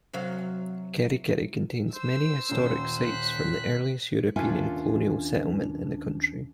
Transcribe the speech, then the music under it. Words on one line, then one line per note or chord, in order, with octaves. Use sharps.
Kerikeri contains many historic sites from the earliest European colonial settlement in the country.
C3 F#3 F5
C5 E6
D#1 C#4 C5
F#6 B6
D#2 C#4 D4 F4 E5 G#5